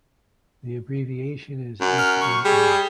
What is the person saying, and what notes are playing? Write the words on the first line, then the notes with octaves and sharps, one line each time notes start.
The abbreviation is Fnr.
F#2
F6
C#6
G3 G#4